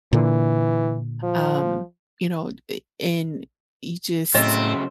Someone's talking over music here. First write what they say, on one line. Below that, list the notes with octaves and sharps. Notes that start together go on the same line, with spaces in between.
um, you know? Eh, and you just
A#2 D3 E3
F3
A2 C#3 F#3 A3 C4 D#5